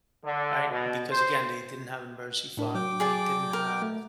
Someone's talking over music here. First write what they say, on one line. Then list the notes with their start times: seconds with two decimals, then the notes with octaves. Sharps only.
Right? Because again, they didn't have an emergency fund, they didn't have
0.25 D3
0.70 B2
1.11 C5
2.57 A2 D4 A#4
2.75 F#3 G5 D6
3.00 G#4 D5 A5
3.53 A#4
3.82 A3